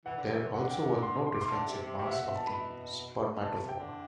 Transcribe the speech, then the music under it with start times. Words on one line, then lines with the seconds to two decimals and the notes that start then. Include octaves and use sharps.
There also was no difference in mass of the spermatophore.
0.06 E3 F#5
0.17 D3
0.28 E3
0.54 D3 F#5
0.70 G5
1.02 C6
1.26 C6
1.34 D6
1.41 C6
1.51 D3 A5
1.67 C3
1.83 C3
1.99 C3 G5
2.07 E5
2.11 F#5
2.23 B2 E5
2.35 A5
2.47 B5
3.44 C3 A5
3.60 C3
3.69 G5
3.76 D3